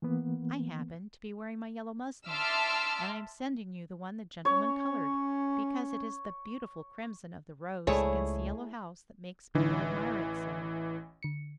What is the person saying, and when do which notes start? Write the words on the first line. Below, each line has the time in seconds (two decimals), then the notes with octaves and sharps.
I happened to be wearing my yellow muslin, and I am sending you the one the gentleman colored, because it is the beautiful crimson of the rose against the yellow house that makes people admire it so.
0.02 E3 A#3 B3
2.27 E5 A5 C6 D6 E6 F6
4.45 C#4 C#5
7.87 C#2 G#3 A3 E4 G#4 C#5
9.55 A1 D3 E3 D4 D#4
11.23 D3 C#7